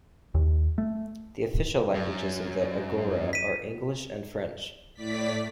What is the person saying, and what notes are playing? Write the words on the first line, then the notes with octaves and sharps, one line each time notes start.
The official languages of the Agora are English and French.
D#2
A3
F#2
B6 D#7
A2 D5 B6